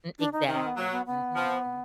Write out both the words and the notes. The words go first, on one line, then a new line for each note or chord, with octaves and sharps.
M exactly, mhm.
D4
D#4
D#3
C#4
C4
B3
F#3 A#3
B3
B3
F3